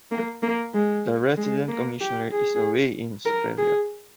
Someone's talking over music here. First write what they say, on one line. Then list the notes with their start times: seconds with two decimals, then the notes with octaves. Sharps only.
The Resident Commissioner is away in Australia.
0.11 A#3
0.43 A#3
0.74 G#3
1.37 G#3
1.68 A#3
2.00 G4
2.32 G#4
3.26 A#4
3.58 G#4